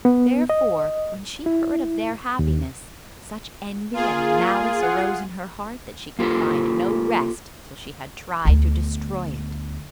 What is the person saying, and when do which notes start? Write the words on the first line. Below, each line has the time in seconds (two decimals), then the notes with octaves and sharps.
Therefore when she heard of their happiness, such envy and malice arose in her heart that she could find no rest till she had tried to destroy it.
0.05 B3
0.50 D#5
1.46 E4
2.39 D#2
3.94 A#3 F4 G#4
4.83 F#5
6.19 A#3 F4 G4 A4
8.45 D2 B3